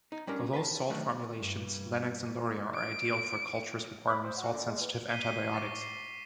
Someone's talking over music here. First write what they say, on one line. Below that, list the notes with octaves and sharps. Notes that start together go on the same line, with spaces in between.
The low salt formulations, Lennox and Luria, are ideal for cultures requiring salt-sensitive antibiotics.
D#4
G3 C#4 D4 A#4
B4 C5 G5 A5
D3 D#3 F#3 A3
G2
D7
B5
C5
F#4
D3
G#3
E2
B6 C7 D#7 G7
C#6 D6 A6 A#6 C7
C7